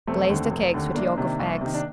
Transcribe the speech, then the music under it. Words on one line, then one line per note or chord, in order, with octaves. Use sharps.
Glaze the cakes with yolk of eggs.
F1 A3 C4
D#2 D3
F1
D#2 D3
C2 A#3 D4
C3 D#3
C2
C3 D#3
D4